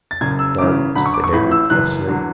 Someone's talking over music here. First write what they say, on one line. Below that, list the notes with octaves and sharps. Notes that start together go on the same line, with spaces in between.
"Don't!" said Edred crossly.
A6
F#1 F#2 C#3 G#6
E6
G#1 F#2 C#3 E3 D6
D2 D3 F#3 B5
C#6
D6
C#6
A1 A2 E3 B5
E6
F#1 F#2 E3 F#6
E2 D3 F#3